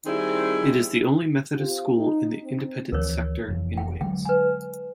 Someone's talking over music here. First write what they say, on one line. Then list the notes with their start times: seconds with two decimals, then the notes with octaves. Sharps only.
It is the only Methodist school in the independent sector in Wales.
0.06 D#3 G3 C4 E4 G#4
1.57 C4 F4 G4
1.96 D#4
2.43 C4
2.92 D2 E3 F3 A#4 C#5
3.48 F1 F2 E3
3.78 G5
4.01 D3 F#3 G#3 G5
4.25 B4 G#5